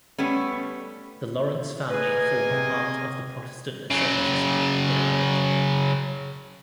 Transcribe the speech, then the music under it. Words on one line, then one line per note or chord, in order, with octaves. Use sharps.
The Lawrence family formed part of the 'Protestant Ascendancy' in Ireland.
G3 A3 B3 C#4
A#3 G#4 B4 D#5 G#5
C3 C4
C#3 F#3